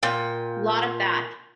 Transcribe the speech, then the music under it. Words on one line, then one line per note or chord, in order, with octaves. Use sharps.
Lot of that.
A#2 G5